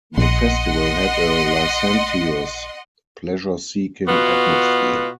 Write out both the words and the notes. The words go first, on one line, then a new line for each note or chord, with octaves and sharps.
The festival had a licentious, pleasure-seeking atmosphere.
A#1 D#5 F#5 C6
B2 B3 F4 F#4